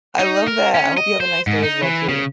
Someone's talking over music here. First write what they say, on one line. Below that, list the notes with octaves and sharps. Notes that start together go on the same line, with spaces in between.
I love that, I hope you have a nice day as well, too.
D#4
A#4
C#4
D#5
C5
G#2
D#4
E3
C#3